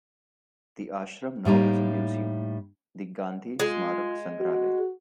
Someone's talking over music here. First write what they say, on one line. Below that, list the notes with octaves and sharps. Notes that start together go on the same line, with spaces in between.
The ashram now has a museum, the Gandhi Smarak Sangrahalaya.
A2 G3 A#3 D#4
G#3 F4
F#4